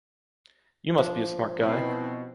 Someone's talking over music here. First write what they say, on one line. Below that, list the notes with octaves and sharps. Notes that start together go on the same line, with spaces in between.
You must be a smart guy!
F3 D4
B2 C4 E4